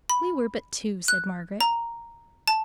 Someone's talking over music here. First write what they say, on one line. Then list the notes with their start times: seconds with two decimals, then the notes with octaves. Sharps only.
'We were but two,' said Margaret.
0.09 B5
1.08 F#6
1.61 A#5
2.48 A5